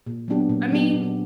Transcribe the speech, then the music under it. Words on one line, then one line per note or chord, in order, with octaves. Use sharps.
I mean,
A#2
F#3 B3 D4 G4
A#2
F#3 B3 D4 G4
A#2